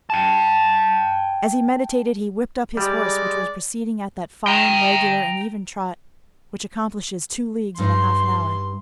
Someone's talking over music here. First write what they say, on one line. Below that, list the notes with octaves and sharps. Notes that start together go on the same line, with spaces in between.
As he meditated, he whipped up his horse, which was proceeding at that fine, regular, and even trot which accomplishes two leagues and a half an hour.
G5 A5
G3 G#3 D5
G5 A#5
G2 D#4 C6